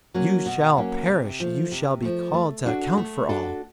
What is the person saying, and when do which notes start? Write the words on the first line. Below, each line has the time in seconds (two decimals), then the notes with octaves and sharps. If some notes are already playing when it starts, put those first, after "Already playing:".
You shall perish--you shall be called to account for all!
0.14 F#3 A#3 C#4
0.46 B2
0.77 F#3 A#3 C#4
1.09 C3
1.40 F3 A3
1.72 C3
2.02 F3 A3
2.34 A3
2.65 D4 F#4 A4
2.97 A3
3.29 D4 F#4 A4